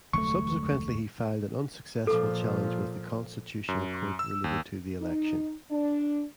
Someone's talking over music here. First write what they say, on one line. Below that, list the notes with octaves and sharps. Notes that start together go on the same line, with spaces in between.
Subsequently he filed an unsuccessful challenge with the Constitutional Court related to the election.
F1 D2 D3 F#3 G#3 A3 C#6
A#2 F3 A4 D6
F#2
E6
D#2
D#4
D4